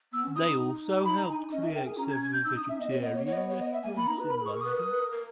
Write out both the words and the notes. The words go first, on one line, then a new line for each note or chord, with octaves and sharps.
They also helped create several vegetarian restaurants in London.
B3 E6
C#4
E4 D#6
D#4
B5
A#5
G#5
C#4 D#5
D#4 E5
B4
A#4 G5
G#4 G#5
C#4 A#5
G#6
G#6
G6
D#4 E6
D#4 D#6
C#4 E5
B3 D#5
B3 C#5
C#4
B3 D#5
A#3 C#5
B3 C#5
D#5
C#5
C#5
D#5
E5
A#3 G#5
A#3 B5
D#4 A#5
B4
A#4 B5
G#4 C#6
A#4 C#6
D#6
B4
A#4 D#6
B4
A#4
A#4